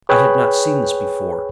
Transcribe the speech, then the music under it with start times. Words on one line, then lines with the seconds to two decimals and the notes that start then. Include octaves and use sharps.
I had not seen this before.
0.09 G#4 B4 C#5 G5 B5 F#6